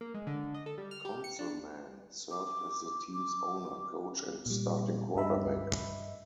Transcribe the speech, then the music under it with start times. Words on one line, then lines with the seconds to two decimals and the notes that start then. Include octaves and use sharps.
Conzelman served as the team's owner, coach, and starting quarterback.
0.01 A#3
0.14 G#3
0.27 D3
0.54 D#5
0.66 A4
0.78 G3
0.91 F6
1.05 G4
1.24 C#7
1.39 D4
2.31 D6
3.14 D6
4.46 A#2 G3
5.15 G2 D#5 E5 B5